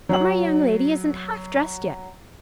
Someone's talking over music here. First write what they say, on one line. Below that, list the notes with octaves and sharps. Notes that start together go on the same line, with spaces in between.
But my young lady isn't half dressed yet.
F#3 F#7